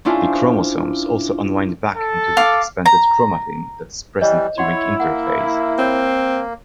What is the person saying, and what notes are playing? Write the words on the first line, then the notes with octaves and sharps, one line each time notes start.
The chromosomes also unwind back into the expanded chromatin that is present during interphase.
C#4 D4 E4 F4 C5
A4
F5 D6
A#5
E3 G3 B4 C#5 D#5
E4 C#5 F#5 C6
A#3 F#5
C4 A#4 C#5